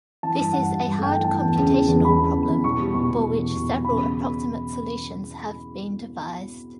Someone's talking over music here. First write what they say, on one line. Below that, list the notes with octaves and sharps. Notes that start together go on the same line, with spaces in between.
This is a hard computational problem, for which several approximate solutions have been devised.
E3 A5
G2
G2 F#5
G2
G2
A3 G5
E3
E3 A5
E2
C#3
E2
E2
E2 B5
C#3
E2
E2
B2 C#6
G3
B2 C#6
B2
B2
E2
B2
E2
C#3 B5